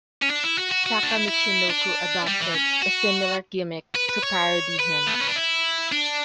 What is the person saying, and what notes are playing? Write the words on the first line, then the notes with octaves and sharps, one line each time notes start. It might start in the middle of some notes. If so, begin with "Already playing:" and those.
Taka Michinoku adopted a similar gimmick to parody him.
C#4
D4
E4
F#4
F#4
F#4
D4
E4
E4
D4
G3
E3
C#4
F#4
B4
B4
C#5
B4
A3
B3
C#4
D4
E4
D4